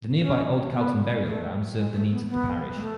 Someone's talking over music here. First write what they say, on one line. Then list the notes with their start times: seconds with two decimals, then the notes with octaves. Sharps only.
The nearby Old Calton Burial Ground served the needs of the parish.
0.21 C#4
0.73 B3
1.25 A3
1.77 G#3
1.94 A3
2.11 B3
2.28 B3
2.76 G#3
2.81 A3